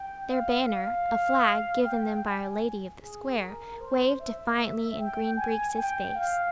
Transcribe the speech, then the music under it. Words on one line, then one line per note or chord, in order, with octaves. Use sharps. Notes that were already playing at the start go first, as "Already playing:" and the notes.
Their banner, a flag given them by a lady of the Square, waved defiantly in Green Breeks' face.
Already playing: G5
F5
F5
G5
G#5
G#4
A#4
C5
E5
G5
G#5
G5
F5